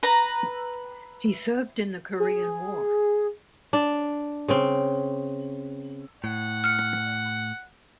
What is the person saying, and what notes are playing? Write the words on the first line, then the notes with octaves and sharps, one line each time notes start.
He served in the Korean War.
B4 A#5
G#4
D4
C#3 C4
A2 F#5
F6 C#7